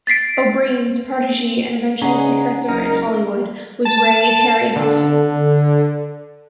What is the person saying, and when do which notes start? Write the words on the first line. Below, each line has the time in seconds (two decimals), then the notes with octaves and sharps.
O'Brien's protege and eventual successor in Hollywood was Ray Harryhausen.
0.07 A6 B6 C7 D7
2.02 C#3 C#4 D#4 G#4 D5 F#5 A#5
2.68 F#1 D#4 A#4
3.85 A5
4.76 D3